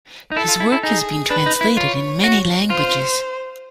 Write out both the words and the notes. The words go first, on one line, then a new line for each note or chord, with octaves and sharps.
His work has been translated in many languages.
D#4
E4 A4
F4
E4
E4
D#4 G#4
D4 B4
D#4
E4
F4 C#5
F#4
F4 C5